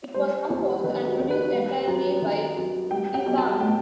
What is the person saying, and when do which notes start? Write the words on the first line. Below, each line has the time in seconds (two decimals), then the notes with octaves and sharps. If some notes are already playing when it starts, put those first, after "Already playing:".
It was composed and produced entirely by Ihsahn.
0.14 G3 C5
0.50 D#2
0.84 D#3 B4
1.07 F#4
1.19 D#2
1.30 B4
1.53 G3
1.87 F#2
2.22 D#3
2.57 F#2
2.91 G3 G5
3.14 G5
3.26 B1
3.38 A5
3.60 A2 G5